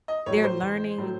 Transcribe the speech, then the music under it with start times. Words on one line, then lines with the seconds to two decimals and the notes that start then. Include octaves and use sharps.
They're learning
0.08 D#5
0.26 A2 F#3 C#5
0.44 C5
0.62 A1
0.98 A2 F#3